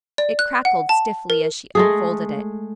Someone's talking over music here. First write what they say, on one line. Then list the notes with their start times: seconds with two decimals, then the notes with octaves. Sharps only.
It crackled stiffly as she unfolded it.
0.18 D5
0.39 F#6
0.65 F#5
0.89 A5
1.30 A#4
1.75 G#3 A3 G#4